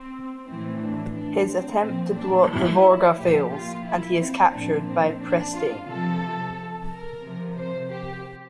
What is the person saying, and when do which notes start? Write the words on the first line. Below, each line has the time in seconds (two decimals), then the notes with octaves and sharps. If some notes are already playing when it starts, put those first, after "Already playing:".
His attempt to blow up the "Vorga" fails, and he is captured by Presteign.
Already playing: C4
0.47 A2 E3 C4
0.81 D4
1.14 D4
1.49 C4
1.83 A#2 F3 C4
2.16 D4
2.50 E4
3.18 A#2 F3 G4
3.52 F4
3.85 E4
4.19 C4
4.52 A#2 F3 D4
4.86 C4
5.20 D4
5.54 F4
5.88 C3 F3 A4
6.89 A#4
7.23 C3 F3
7.57 C5
7.91 G4